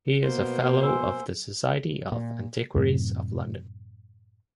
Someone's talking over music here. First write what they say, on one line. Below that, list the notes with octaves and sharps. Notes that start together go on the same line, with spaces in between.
He is a fellow of the Society of Antiquaries of London.
B2 A#3 B3 C5
G#5 C6 E6
A#2
F#2 A2 C3